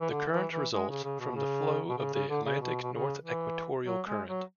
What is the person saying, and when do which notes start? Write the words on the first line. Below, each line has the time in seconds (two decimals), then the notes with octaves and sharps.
The current results from the flow of the Atlantic North Equatorial Current.
0.01 E3
0.11 D3
0.32 E3
0.52 E3
0.73 G#3
0.89 C#3
1.04 C#3
1.20 B2
1.36 C#3
1.89 B2
1.98 C#3
2.14 C#3
2.30 D3
2.46 C#3
2.61 B2
2.82 B2
2.93 C#3
3.24 E3
3.86 F#3
4.07 G#3
4.28 F#3